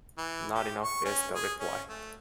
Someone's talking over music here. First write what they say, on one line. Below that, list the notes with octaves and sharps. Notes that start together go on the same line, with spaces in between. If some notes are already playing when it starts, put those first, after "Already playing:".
Not enough, is the reply.
E3
G4
C#6
C#4
G#4
C#4
A3